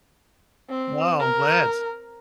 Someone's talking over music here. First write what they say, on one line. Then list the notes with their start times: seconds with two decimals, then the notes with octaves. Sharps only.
Wow, I'm glad.
0.70 C4
1.20 A#4